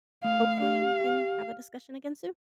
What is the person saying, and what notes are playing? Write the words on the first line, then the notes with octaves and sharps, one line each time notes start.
hopefully we can have a discussion again soon.
A3 F5
A3
G4 F5
G4
G4